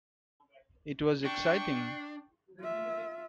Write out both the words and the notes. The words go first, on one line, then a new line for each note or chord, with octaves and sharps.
It was exciting.
D4 G5 C#6
F4 E5